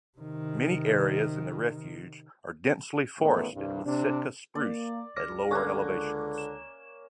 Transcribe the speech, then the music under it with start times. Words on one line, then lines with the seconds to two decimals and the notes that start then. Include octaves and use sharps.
Many areas in the refuge are densely forested with Sitka spruce at lower elevations.
0.19 C3 D#3
3.19 A1 A#2 D#3 A3 B3
3.53 C2 G2
3.84 C3 D4
4.55 A#3 D5
5.16 C#2 D6 F6 A#6
5.51 D3 A#3 C#4 C#6 D6 F#6
6.38 E7